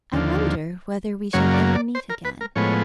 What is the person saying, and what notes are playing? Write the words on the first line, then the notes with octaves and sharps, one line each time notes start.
I wonder whether we shall ever meet again?
D#2 D3 F3
F#2 C#3 F#3 A#3 C#5
D5
D5
C5
A#4
B4
A#4
A2 F3 G#3 B3 C#5